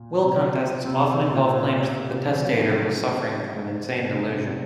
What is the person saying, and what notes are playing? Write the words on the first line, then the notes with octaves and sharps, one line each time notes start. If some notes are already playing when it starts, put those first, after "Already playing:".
Will contests often involve claims that the testator was suffering from an insane delusion.
Already playing: A#2
C3
C3
C#3
C#3
A#2
C3
F3
F#3
F3
D#3
C#3
C3
C#3
C#3
C3